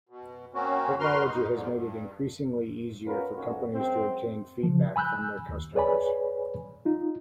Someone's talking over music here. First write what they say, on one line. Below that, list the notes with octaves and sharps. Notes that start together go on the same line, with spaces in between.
Technology has made it increasingly easier for companies to obtain feedback from their customers.
B2
A#3 C4 C#4 F#4
F#4 A#4 B4 C6 F6
D#4
E2 G#2 D3
G2
B3 C#4 F4 A#4 B4
B1 F2 A#3 C#4 F#4
F#2 G#3 C4
C#3 F3
G#5 B5 E6 F#6 G6
D#2
G#4 B4 C#5 D5 G#5 B5
D#4 F4